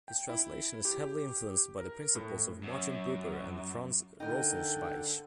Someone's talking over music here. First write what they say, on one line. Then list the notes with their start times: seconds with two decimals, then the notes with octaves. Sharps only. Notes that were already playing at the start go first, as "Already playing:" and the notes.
His translation is heavily influenced by the principles of Martin Buber and Franz Rosenzweig.
0.08 G5
0.29 E4
0.85 G4
1.78 A#4
2.15 A2
2.63 F#2
4.20 D3 D#4 A#4 G5